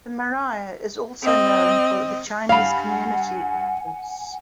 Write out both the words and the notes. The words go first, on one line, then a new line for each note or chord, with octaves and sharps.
The Marais is also known for the Chinese community it hosts.
C4 D#5
G2 F5 F#5 G#5 B5